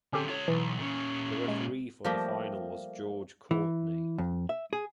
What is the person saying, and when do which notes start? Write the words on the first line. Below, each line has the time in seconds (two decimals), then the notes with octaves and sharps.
The referee for the final was George Courtney.
0.13 D3 C4 C#4 G4 A4
0.28 F4 C#5
0.48 B1 E3
0.80 A#2 C#4
1.48 G#3
2.04 F3 G3 A3 A#3 G4 E5
3.51 E3
4.18 F2
4.49 E5
4.73 G#4